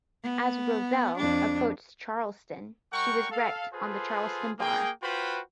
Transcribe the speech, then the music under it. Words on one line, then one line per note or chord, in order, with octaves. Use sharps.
As "Roselle" approached Charleston she was wrecked on the Charleston Bar.
B3
F2 D4
G3 A#4 F#5 G5 C#6
A4 F5
F4 G#4 A4 B4 C5
A#3 G#4 G5
F4 F#4 B4 C5 G5 B5